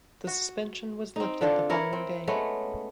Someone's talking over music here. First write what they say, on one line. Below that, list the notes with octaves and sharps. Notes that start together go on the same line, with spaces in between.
The suspension was lifted the following day.
F#4
C4 D#4
D3 D4 F4 A4
E4 A#4 C#5
C4
G#3 A3 B3 C#4